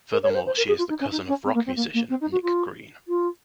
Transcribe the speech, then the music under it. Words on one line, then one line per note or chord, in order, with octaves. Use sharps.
Furthermore, she is the cousin of rock musician Nicke Green.
A#4
C#5
A#4
C5
C5
A#4
G#4
F4
D#4
C#4
D#4
C#4
C4
A#3
C4
A#3
A#3
C4
D#4
F#4
F4
F4